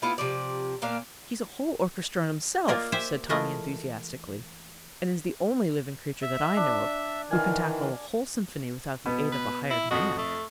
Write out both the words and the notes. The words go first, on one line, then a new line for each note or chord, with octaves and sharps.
"He's a whole orchestra in himself," said Tommy enthusiastically, "and is the only living creature that I know of who can tackle a whole symphony without the aid of a hired man."
A3 B3 E4 F4
C3 F3 D5
A#2 A#3 D4 F5
A#3 F4 A#4 D5 D#5 G#5
G4 C5 E5 G5 G#5
E3 G#3 A3 F4 A#4 D#5
E5
D4
D#3 E3 F5 G#5
B2 B3
B4
E4
F2 F#4 D#5
A3